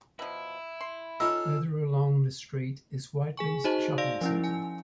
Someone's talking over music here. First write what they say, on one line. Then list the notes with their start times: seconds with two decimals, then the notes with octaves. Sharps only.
Further north along the street is Whiteleys shopping centre.
0.19 B2 F3 E4
0.81 C6
1.20 C#4 D#4 F4 A4 E6
3.37 G#4 G#5 C#6
3.64 D#4 F#4 C5 D#5 A5
3.98 D5 F5 C6 E6 A#6 D7
4.21 F3 C#4 E4
4.44 G#5